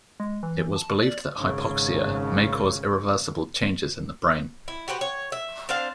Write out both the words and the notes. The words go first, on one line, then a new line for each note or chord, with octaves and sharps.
It was believed that hypoxia may cause irreversible changes in the brain.
G#3
E3
A5
D5
G#1 C#3
E4
F#4 G4 B4 C5
C#5
E5
C4 D4 C5 F5